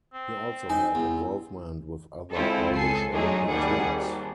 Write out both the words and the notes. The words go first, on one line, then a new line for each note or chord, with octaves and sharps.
He also had involvement with other Irish Olympic teams.
C4
D#4 G#5
E2
G#3 C4 E4 F4 A4
C#2 A4 G#5 C7
F#3 G#3 A3 D4 D#4 G#4
G#1 D#2 G3 G#4 F#5 G#5
G#1